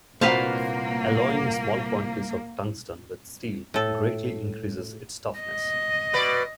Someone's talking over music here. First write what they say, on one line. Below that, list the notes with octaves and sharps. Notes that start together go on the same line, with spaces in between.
Alloying small quantities of tungsten with steel greatly increases its toughness.
C2 A#2 A#3 F#4 B4 C5 F5 A5
A2 A4
D#5
B2 B4 D5